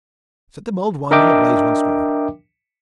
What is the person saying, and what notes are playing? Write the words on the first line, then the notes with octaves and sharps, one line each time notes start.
Set the mulled wine on the blaze once more!
D4 A#4 D#5 E5 G5 D6